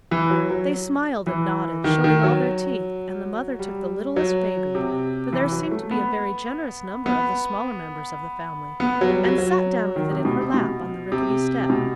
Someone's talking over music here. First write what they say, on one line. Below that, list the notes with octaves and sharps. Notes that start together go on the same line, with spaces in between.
They smiled and nodded, showing all their teeth, and the mother took the littlest baby, for there seemed to be a very generous number of the smaller members of the family, and sat down with it in her lap on the rickety step.
E3
F#3
F#3
E3
D#3
D#3
F#3
G3
F#3
C3
E3
F#3
A3
B3
B3
B3
F#3
G3
F#3
F#3
D#3
C3
B2
C3
B2
C3
C3
B2